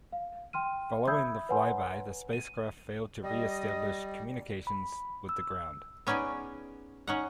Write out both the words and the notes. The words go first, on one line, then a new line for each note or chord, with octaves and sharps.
Following the flyby the spacecraft failed to reestablish communications with the ground.
F5
G5 C6 F6 D#7
E5 B5 D#6 E6 G6 G#6
B4 C#5 F#5 G#5 A#5 C6
D#7
G3 D#5
B5
E6
B3 C#4 D#4 G#4 D5
C#4 D#4 F#5